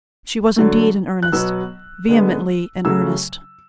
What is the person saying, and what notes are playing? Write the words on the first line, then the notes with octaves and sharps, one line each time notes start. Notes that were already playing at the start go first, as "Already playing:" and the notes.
She was indeed in earnest--vehemently in earnest.
D3 F#3 A3
F#6
B2 F#3 B3 E6
D3 G#3 B3
C#3 F#3 A3 E6